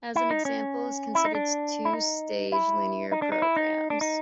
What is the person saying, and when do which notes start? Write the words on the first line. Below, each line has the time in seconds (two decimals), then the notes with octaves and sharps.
As an example, consider two-stage linear programs.
0.16 E4
0.31 D#4
0.45 C#4
1.15 E4
1.25 D#4
1.35 D4
1.85 E4
1.93 D#4
2.52 E4
3.12 D#4
3.22 D4
3.32 D#4
3.42 E4
3.56 D#4
3.90 D4
4.01 D#4